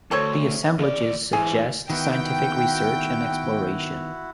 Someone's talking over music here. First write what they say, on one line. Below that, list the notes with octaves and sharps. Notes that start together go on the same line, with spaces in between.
The assemblages suggest scientific research and exploration.
D2 A4 C5 C#5
D#2 D5
G#2 E3 G#4
D#3 B3 E4 F#4 G5